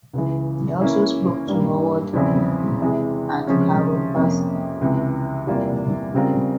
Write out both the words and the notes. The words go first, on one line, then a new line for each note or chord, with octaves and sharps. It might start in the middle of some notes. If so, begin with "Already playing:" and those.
He also spoke to Howard and Carole Baskin.
C#2 C#3 E3
E3 A#3 C#4 E4
G2 G3 A#3
E2 C#3 F3 C4 E4
C3 E3 G#3
C#2 C3 F3 G#3 C#4
F2 C3 F3 A#3 C#4
C#2 C3 E3
E2 C3 G3 A#3 F4
C#3 G3 C4 F4 A#4